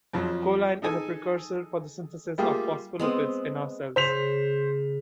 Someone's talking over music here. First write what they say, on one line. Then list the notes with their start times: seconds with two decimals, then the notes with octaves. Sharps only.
Choline is a precursor for the synthesis of phospholipids in our cells.
0.13 F2 F3 F#3
0.82 D#4 G#4 A4 G#5
2.38 G3 A3 A#3 F4 G4 G#4
2.99 G#3 B3 C4
3.96 C#3 C5 B6 F7